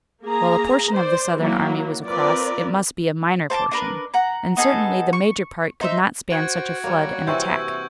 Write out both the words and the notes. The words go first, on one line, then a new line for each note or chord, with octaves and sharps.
While a portion of the Southern army was across it must be a minor portion, and certainly the major part could not span such a flood and attack.
A#3 G#4 A#5
C5 D5
F#3 A#3 E4
C4 F4 A#4 B4 D5
C5 A5 A#5 D6
D4 A#4 B4
F#5 A#5
B3 D#4 G#4 A4
C#6
D#4 C5 E5
F#4 C5 G#6 D7
G3 A#3 C#5
C3 E3 C4 C#6 E6 G6